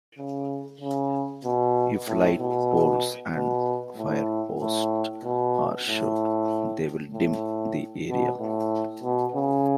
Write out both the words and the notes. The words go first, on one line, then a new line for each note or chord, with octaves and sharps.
If light poles and firepots are shot, they will dim the area.
C#3
C#3
B2
A2
B2
B2
A2
A2
B2
A2
A2
B2
A2
B2
C#3